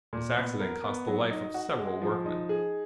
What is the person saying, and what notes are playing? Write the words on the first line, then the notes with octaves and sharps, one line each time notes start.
This accident cost the life of several workmen.
A#2
B3
A#4
B3
F#3
D#4
F#4
G#3
F3
D#4
G#4